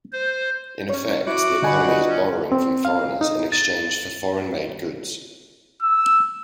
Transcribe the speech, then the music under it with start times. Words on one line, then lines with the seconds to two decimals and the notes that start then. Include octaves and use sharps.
In effect, the economy is borrowing from foreigners in exchange for foreign-made goods.
0.13 C5
0.89 C#4 C#5
1.27 E4 F#4 D6
1.62 D3 D4 D#4 F#5 G#5 B5
1.85 D4 D#4 F4 B4 D#5
2.08 C#4
2.52 C4
2.85 F5
3.21 D#4
3.52 A6
5.82 E6